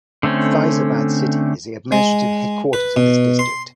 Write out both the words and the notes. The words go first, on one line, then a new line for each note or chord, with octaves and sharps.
Faizabad city is the administrative headquarters of this district.
D3 A3 C4 C#4
G#3
B4
B2
C6